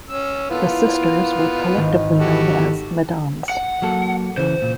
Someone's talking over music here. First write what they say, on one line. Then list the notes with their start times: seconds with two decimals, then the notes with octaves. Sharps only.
The sisters were collectively known as "Mesdames".
0.10 C#4 E6
0.50 A#3 B3 E4 F4 A4
1.77 G#1
2.19 F#4 G4 A4
3.50 F#5
3.82 F#3 A#3 A4
4.37 C#3 E3 C5
4.62 A#2